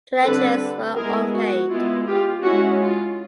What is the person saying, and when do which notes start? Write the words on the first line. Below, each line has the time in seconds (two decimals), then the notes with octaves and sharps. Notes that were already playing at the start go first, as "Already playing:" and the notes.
The lectures were unpaid.
0.22 D3 G3 C4 A4 B4
0.96 G#3 B3 E4 G#4 A#4
1.33 F#4
1.70 G#3 B3 E4 F4
2.06 F4 G4
2.43 G#3 C#4 E4 F#4
2.80 F4